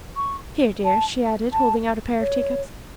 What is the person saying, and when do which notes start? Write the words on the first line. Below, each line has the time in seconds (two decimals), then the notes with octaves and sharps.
"Here, dear," she added, holding out a pair of teacups.
0.16 C#6
0.85 A5
1.53 A5
2.21 C#5